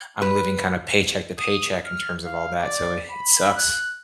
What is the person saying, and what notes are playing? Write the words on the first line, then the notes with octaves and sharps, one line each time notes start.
I'm living kinda paycheck to paycheck in terms of all that, so it sucks.
B4
D#6
F6
F5
D5
B5
F#6